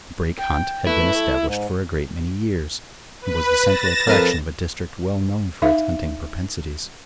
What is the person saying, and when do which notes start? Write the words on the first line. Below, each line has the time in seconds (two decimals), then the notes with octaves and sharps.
The Brake Hunt had been established for a great many years, and was the central attraction of a district well known for its hunting propensities.
0.39 G5
0.87 A3 E4 B4
1.12 A3
1.44 G#2
3.21 B4
3.63 A6 A#6 E7
4.08 F2 A#4 B4
5.62 D#4 E5 F5